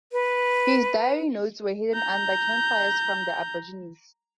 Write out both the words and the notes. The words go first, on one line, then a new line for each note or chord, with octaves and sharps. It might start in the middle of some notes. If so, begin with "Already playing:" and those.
His diary's notes were hidden under camp fires from the Aborigines.
B4
A#5 G6